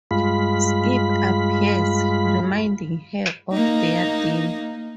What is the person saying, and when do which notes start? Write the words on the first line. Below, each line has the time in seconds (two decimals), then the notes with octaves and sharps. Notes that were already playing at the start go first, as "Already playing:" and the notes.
Skip appears, reminding her of their deal.
0.11 G2 G#3 F4 B5
3.52 A#3 D#4